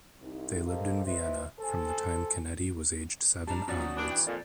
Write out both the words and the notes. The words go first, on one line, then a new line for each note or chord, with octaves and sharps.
They lived in Vienna from the time Canetti was aged seven onwards.
C2 D#4
G4 A4 A#4 C5 D#5 F5
E4 B4 C5 D#5 E5
A4 C5 G#5
G3 D4 A5 A#5
B2 F3 F#3 C#4 D5 F#5
F#4 D#6
E3 D4
G5
F2 A#2 D5